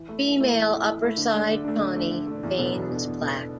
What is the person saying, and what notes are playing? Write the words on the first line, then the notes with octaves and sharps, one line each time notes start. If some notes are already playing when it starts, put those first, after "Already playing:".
Female upperside tawny, veins black.
Already playing: E3
A3 E4
E3
A3 E4
E3
A3
E4
E3
A3 E4
D3
A3 D4
D3
A3 D4
D3
A3 D4
D3
A3 D4
E2
B2 B3 D4 A4
E2
B2 B3 D4 A4
E2
B2 B3 D4 A4